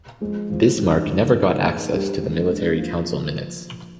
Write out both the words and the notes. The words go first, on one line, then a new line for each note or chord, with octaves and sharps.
Bismarck never got access to the Military Council minutes.
F3 G#3 C4
F3 G#3 C4 F4
D#3 G3 D4 G4
F2 D3 G#3 C4 D#4
G#2 F3 C4 D#4
D#3 A#3 D#4 G#4
G3 D4 G4 A#4
F3 G#3 D4 G#4
F3 G#3 D4
F3 A#3